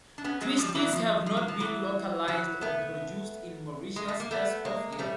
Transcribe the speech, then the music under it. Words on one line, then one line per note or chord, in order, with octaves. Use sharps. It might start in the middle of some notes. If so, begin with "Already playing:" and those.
Twisties have not been localised or produced in Mauritius as of yet.
D4
B3 C#4
F#3 G#3
F3 G3
G3
E3 F#3
F3
F3
F#3
F3
E3 F#3
E3 F#3
A3 B3
G#3
A3
A#3
A3 B3
G#3 A#3
G#3
G3 A3